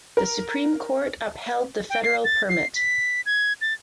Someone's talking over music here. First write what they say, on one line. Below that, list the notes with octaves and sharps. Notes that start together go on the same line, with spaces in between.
The Supreme Court upheld the federal permit.
A#4
G5
C7
A6
C7
B6
G#6
A6